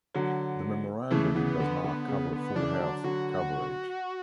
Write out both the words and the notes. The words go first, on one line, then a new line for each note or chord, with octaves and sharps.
The memorandum does not cover full health coverage.
D3 F#3
C#3 E3 A3
C#3 E3 B3
D3
D3
C#3
D3
C#3 E3 D4
D3 F#3
D3 F#3 F#4